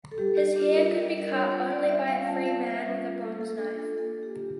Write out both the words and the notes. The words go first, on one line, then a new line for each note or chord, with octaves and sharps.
His hair could be cut only by a free man with a bronze knife.
A4
G3 G4
G4
D4 F4 G4
A#4
G3
D4 F4 C#5
C#5
G3 D5
E5
C#4 F4 F5
A5
G3 F5
E5
C#4 F4
A#3 A4
A4
D4 F4 A4
A4
A#3 A4
G4
D4 F4